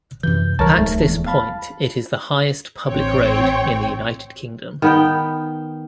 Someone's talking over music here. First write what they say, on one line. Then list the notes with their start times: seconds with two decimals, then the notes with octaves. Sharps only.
At this point it is the highest public road in the United Kingdom.
0.23 F#2 C3 E3 G6
0.59 C2 E3 A#4 C#5 A5
0.75 D1 G#2 A3
1.03 E2
1.27 F5 A5 B5
2.87 A1 C4 C#5 G5
4.82 D#3 B3 G5